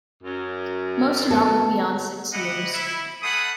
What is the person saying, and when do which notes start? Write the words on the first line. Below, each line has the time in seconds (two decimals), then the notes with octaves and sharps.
Most do not live beyond six years.
0.23 F#2
1.30 B3 A4
2.33 E4 G4 D#5 F#5
2.73 E4
3.23 A3 G#4 F#5 B5 D#6